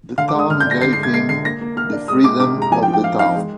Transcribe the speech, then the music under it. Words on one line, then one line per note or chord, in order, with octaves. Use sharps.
The town gave him the Freedom of the Town.
D3 F5
D6
G#3 D#6
D3 F6
G6
D4 A#6
D3 C7
C7
G#3
G#6
G#3 C7
D3 C7
A#3 A#6
A#3
A#3 F6
D4
G#3 D#6
G#3 D6
C3 D6
G#3
A#5
F3 G#5
G5
F3
G5
F3 F5
D#4 F5
G#3